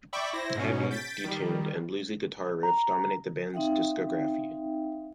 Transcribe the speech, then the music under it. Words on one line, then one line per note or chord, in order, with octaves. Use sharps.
Heavy, detuned, and bluesy guitar riffs dominate the band's discography.
D5 E5 G5 B5 C#6 D6
E4 C5 A#6
G#2 B2 C#4
G6 A6 B6 D7
D#3 G3
A#5
C4 D#4 E5 F5 G5